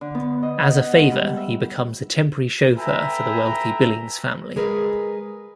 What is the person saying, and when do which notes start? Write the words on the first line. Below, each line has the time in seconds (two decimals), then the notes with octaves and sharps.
As a favor, he becomes a temporary chauffeur for the wealthy Billings family.
0.01 D3
0.15 B3
0.43 D#5
0.63 F#5
0.93 G#2
1.12 G3
1.37 E5
2.76 A4 B4 E5 G5 G#5 A#5
4.56 G#3 G#4 A#4 B4